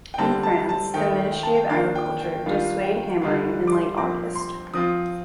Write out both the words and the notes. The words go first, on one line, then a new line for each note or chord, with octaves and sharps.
In France, the ministry of agriculture dissuade hammering in late august.
G5
D3 G3 C4 A5
A5
A5
D#3 A3 D#4 G5
G5
A5
G5
D#3 A#3 D4 F4 F5
G5
G5
D#3 G3 D4 F4 F5
G5
D3 G3 D4 F4 F5
D6
C6
A#2 F3 C4 D6
C6
F3 C4 F4 D#6